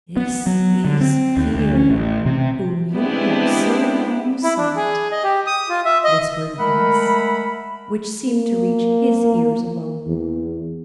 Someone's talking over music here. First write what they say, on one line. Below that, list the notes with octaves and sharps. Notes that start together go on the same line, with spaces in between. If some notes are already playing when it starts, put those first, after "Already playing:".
'This is fear whom you have so long sought,' whispered a voice, which seemed to reach his ears alone.
B3
F#3
D3
C4
D#2
D2
C#4
A1
C3
G#3 B3 C4 D4 E4 G4
E4
D4
G#4
D#5
G4
D#6
F4
E5
D#5
G#3 A3 A#4 E5 F#5 B5
A#3
E2